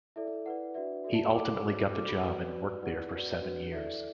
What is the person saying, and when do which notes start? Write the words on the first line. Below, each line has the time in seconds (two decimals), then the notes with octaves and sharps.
He ultimately got the job and worked there for seven years.
0.16 E4 A4 D5 E5
0.46 E4 B4 D5 F#5
0.74 D4 F#4 B4 D5 E5
1.04 F#4 A4 D5 E5
1.15 A5
1.24 B5
1.34 E4 A4 D5 D6
1.63 F#4 B4 D5
1.93 D4 F#4 A4 D6
2.08 B5
2.24 F#4 B4 D5
2.53 F#4 B4 D5
2.82 E4 B4 D5 F#5
3.12 F#4 B4 D5
3.41 D4 F#4 B4
3.72 E4 A4 D5 E5
3.87 D5